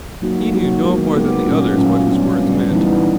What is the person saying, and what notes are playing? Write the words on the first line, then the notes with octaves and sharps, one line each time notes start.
He knew no more than the others what his words meant.
F#3 A#3 D#4 F#4
F#3 A#3 D#4 F#4
G#3 B3 D#4 G4 A#4
G#3 B3 D#4 G4 A#4
A#2 F#3 A3 C#4 F4
A#2 F#3 A3 C#4 F4
G3 B3 D4
G3 B3 D4
E3 G3 B3 D#4
D#4